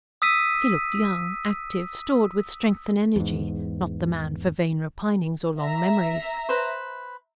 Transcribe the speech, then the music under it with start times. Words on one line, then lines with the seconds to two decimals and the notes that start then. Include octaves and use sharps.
He looked young, active, stored with strength and energy; not the man for vain repinings or long memories.
0.22 D#6 E6 B6 D#7
3.16 E2 G#2
5.58 E5 A#5
6.49 B4 C5